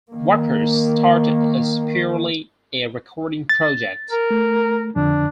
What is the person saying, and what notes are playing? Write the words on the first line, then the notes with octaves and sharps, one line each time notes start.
Wipers started as purely a recording project.
D#3 A#3
A6
A#4
A3
F2 D3 D4